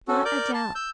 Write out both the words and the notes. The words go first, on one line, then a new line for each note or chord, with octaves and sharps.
Not a doubt.
C#4 F#4 A4
A#4 D5 D6 G6
A5
E6 G6